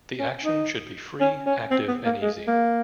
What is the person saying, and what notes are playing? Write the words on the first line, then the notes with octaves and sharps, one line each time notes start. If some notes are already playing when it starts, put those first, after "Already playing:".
The action should be free, active and easy.
C#4
D#4
C#4
C#4
C4
B3
A#3
G#3
A#3